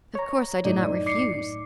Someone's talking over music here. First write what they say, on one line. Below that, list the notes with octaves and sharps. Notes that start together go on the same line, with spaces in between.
Of course I did not refuse.
C#5 A#5
F#2 A2 D#4 D5
D6 C7 C#7